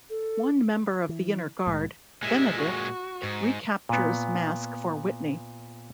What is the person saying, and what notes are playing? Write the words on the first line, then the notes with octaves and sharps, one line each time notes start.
One member of the Inner Guard, Benedict, recaptures Masque for Whitney.
A4
E3
C2 A2 G#3
A#2 G#3 G4 E5
F#4
G#2
A#2 B3